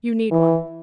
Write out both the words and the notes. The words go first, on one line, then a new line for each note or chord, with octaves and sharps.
"You need one."
E3